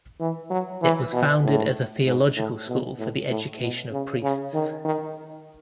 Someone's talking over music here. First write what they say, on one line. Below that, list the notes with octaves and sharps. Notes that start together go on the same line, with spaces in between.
It was founded as a theological school for the education of priests.
E3
F#3
E3
B2
A2
G#2
A2
B2
A2
A2
B2
C#3
C#3
D#3
D#3